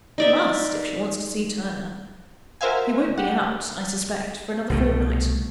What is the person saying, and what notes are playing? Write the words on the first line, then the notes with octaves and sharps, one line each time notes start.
She must, if she wants to see Turner; he won't be out, I suspect, for another fortnight.
D#4 D5 E5
F#4 A#4 C5 E5 F5 G#5
G4 F#5
C2 B2 A3